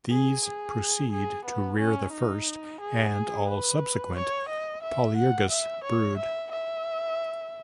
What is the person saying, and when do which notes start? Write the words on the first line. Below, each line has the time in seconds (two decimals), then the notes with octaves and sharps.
These proceed to rear the first and all subsequent "Polyergus" brood.
0.11 G#4
0.45 G#4
1.13 G#4
1.45 B3
1.80 C#4
2.13 D#4
2.81 G#4
3.48 B4
4.16 C#5
4.49 D#5
4.83 E5
5.17 F#5
5.51 E5
5.84 C#5
6.18 E5
6.52 E5